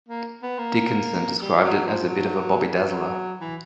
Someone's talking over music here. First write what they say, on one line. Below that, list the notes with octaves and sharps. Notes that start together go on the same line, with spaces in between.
Dickinson described it as "a bit of a bobby dazzler".
A#3
B3
A#3
G3
F3
F#3
F3
F#3
F#3
E3